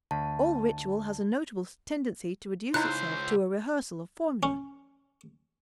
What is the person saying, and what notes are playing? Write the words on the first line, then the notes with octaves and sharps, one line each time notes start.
All ritual has a notable tendency to reduce itself to a rehearsal of formulas.
D2 A5
C#2 D#4 E4 C5 F#6
C#4